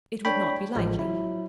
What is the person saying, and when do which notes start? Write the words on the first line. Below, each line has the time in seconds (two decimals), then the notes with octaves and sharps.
It would not be likely.
0.25 D4 C#5 G5 B5
0.75 A1 F3 G#3
0.99 F#3 E4